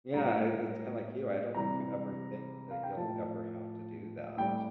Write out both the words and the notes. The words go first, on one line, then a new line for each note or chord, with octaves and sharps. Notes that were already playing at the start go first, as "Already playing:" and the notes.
yeah, i it's kinda like you, I don't think you ever think that you'll ever have to do that,
A2 G3 A#5
C3 E3 G3 A#5
F5
G5
A2 F3 A5
A2 G3 G5